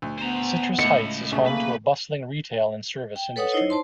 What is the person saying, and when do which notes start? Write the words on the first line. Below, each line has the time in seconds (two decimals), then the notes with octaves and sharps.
Citrus Heights is home to a bustling retail and service industry.
0.02 D2
0.19 B3 C5 A#5
0.79 C#2 A2 D#5 C#7
1.32 B1 C#3 A3
1.46 A#3 B4
3.16 G5
3.36 A4 B4 C#5 F#5 D#6
3.52 D#4 E4 C5 C#5 D#5
3.70 C5 A5 C6